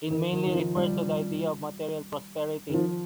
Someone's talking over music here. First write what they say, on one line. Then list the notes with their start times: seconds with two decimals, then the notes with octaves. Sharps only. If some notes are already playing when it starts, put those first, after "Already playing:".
It mainly refers to the idea of material prosperity.
0.10 D#3
0.32 D#3
0.46 D#3
0.55 F3
0.76 G3
2.69 D#3
2.74 F3